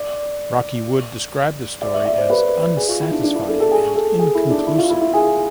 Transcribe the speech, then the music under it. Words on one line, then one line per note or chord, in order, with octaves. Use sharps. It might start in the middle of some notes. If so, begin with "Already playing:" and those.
Rocky Wood described the story as "unsatisfying and inconclusive".
Already playing: D5
D5
E5
D5
C5
B4
G#4
F4
E4
D4
D4
E4
A4
A4
G#4
A4
G#4
E4
D4
E4
F4
E4
E4
G#4